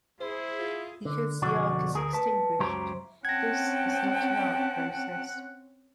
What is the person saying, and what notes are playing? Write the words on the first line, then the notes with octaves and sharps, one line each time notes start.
Because the arc is extinguished, this is not an arc process.
E4 G#4 C5
F4
D3
B1 F2 D3 D4 F#4
D2 G#4 A#4
B4 A5
C#2 F#2 F#3 G4 C5 A#5
C4 C#4 F#5 G5 A5 G#6 A#6